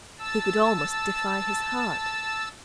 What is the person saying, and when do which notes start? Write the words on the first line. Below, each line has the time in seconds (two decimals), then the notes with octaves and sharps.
He could almost defy his heart.
0.19 A5 E6